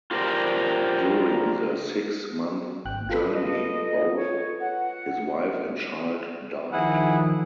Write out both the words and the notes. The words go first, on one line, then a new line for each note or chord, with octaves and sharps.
During the six-month journey, both his wife and child died.
F4 G4 A#4 C5 D5
G#1 G5 F#6
F4 A4 B4
D#5
C#5
F#5
D#3 F3 E4 G#4 F#5